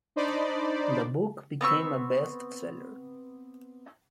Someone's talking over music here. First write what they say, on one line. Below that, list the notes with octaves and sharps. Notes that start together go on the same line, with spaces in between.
The book became a best-seller.
D4 D#4 C5 D5 B5
B3 C4 C#6 E6